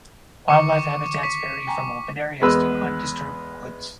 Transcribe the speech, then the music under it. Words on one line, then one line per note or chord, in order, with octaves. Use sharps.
Wildlife habitats vary from open areas to undisturbed woods.
D3 D#3 C#6 D6 C#7
C#6 B6
G5 G#5 A#5
E2 G#3 B3 B4 E6